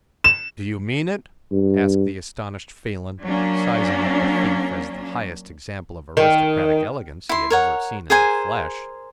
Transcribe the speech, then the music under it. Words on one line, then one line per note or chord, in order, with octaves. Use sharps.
"Do you mean it?" asked the astonished Phelan, sizing up the thief as the highest example of aristocratic elegance he had ever seen in the flesh.
E7
G2
F#3 A#3 C#4 D4
D#3
E4 C6
A#4 C#5 F#5
G#4 A#4 C5 G#5